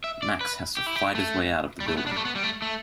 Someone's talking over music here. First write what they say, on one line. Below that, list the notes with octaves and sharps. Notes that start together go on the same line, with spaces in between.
Max has to fight his way out of the building.
E5
D5
B4
G4
E4
G4
A3
G3
A3
B3
D4
G3
A3
B3
G3
A3
A3